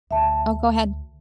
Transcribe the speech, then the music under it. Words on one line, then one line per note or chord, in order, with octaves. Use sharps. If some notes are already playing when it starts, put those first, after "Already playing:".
Oh, go ahead.
D2 E5 A5